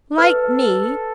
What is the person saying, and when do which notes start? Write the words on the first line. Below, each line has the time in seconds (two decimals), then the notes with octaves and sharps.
Like me!
0.18 A4 B4